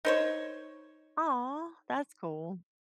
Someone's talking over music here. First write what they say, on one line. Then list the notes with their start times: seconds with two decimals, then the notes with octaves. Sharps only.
Aw, that's cool.
0.05 D#4 C5 C#5